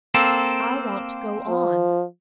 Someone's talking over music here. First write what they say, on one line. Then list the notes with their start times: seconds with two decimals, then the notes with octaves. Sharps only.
"I want to go on."
0.14 A#3 C4 A4
1.48 F3